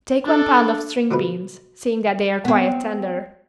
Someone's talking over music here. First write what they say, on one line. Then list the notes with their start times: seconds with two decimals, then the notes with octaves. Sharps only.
Take one pound of string beans, seeing that they are quite tender.
0.24 D4 A4
1.11 B2 D3 D#3 F3 B4
2.45 B3 C4